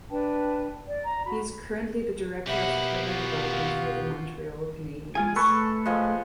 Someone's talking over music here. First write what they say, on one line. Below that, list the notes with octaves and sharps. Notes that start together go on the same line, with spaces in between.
He is currently the director of player development for the Montreal Canadiens.
D4 B4 G5 A5
D5
A#5
F#4 B5
B2 E3 A#3 G4 E5 F#5 B5
F4 F#4 F5
G#3 F4 G#4 G#5
A3 A4 B4 C#6
F3 G#3